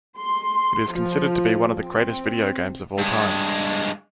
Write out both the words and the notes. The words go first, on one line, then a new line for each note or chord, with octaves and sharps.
It is considered to be one of the greatest video games of all time.
C6
F3
C4
G2 G#3